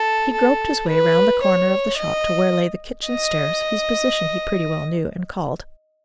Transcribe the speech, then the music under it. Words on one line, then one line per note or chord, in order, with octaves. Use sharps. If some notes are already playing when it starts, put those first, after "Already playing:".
He groped his way round the corner of the shop to where lay the kitchen stairs, whose position he pretty well knew, and called.
Already playing: A4
A4
B4
C#5
D#5
D#5